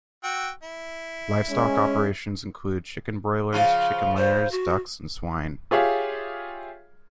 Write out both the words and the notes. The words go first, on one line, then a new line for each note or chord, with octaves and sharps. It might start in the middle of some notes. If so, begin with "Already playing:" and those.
Livestock operations include chicken broilers, chicken layers, ducks, and swine.
F#4 G5 E6
E4
G#3 C#4
C#3 F3 F4
C5
F#4
F4 G4 G#4 C#5 E5 F5